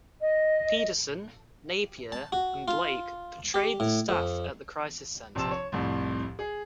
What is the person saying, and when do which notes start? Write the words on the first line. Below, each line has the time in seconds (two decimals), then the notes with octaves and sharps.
Pedersen, Napier and Blake portrayed the staff at the crisis centre.
0.21 D#5
2.12 A5
2.32 F#4
2.68 F4
3.54 G4
3.80 A2
4.09 F2
5.35 A#1 C3 C4 A5 E6 E7
5.51 C#5
5.72 C2 F2 A2
6.39 G#4